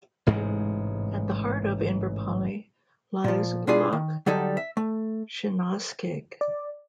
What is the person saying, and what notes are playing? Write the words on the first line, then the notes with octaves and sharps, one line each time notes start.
At the heart of Inverpolly lies Loch Sionascaig.
A1 G#2 C3 G#3
A#2 F3
B2 D4 E4 F4 G#4
D#3
D3 F#3 G3 D#4 A4
E5
A3
D5